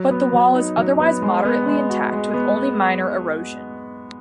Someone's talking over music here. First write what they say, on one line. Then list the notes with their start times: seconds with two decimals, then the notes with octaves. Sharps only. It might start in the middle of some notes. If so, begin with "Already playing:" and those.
But the wall is otherwise moderately intact with only minor erosion.
Already playing: F#3
0.11 B3
0.33 F#3
0.55 D#4
0.78 F#3
1.00 B3
1.22 G#3
1.45 B3
1.67 G#3
1.89 F#4
2.12 G#3
2.33 B3